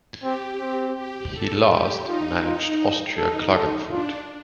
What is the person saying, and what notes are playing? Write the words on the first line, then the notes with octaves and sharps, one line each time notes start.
He last managed Austria Klagenfurt.
C4 G4
C4
G4
A4
G4
D#4 F4
F4
D#4 A4
A4
D4 F4